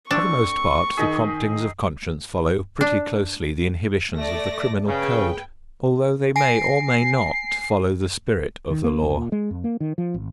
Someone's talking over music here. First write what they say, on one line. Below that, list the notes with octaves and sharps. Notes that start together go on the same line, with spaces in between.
For the most part the promptings of conscience follow pretty closely the inhibitions of the criminal code, although they may or may not follow the spirit of the law.
A3 C4 D4 C#6
D#3 D#4 G#4 D#5 B6
D4
A3 D5 A#6
C#3 G#4 B4 G5
G#5 A#6 C7 D7
D#3
A#3
F#1
A#2
G#3
F2
A#3
D#3
F3
G#1